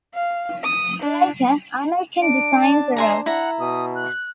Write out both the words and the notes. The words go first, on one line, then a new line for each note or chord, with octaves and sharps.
Later, American designs arose.
F5
D#6
D4
D4 D7
A5
C5 E5 G#5 A#5
E4 F#5 A#5
B2 D#6
F#6